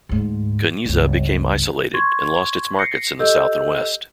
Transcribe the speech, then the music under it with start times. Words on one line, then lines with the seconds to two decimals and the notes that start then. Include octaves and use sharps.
Kanizsa became isolated and lost its markets in the south and west.
0.09 D2 G#2
0.86 G1 C#2
1.94 C6 C#6 G#6
2.79 A#6 C7 C#7
3.20 G4 A4 D#5 E6 G6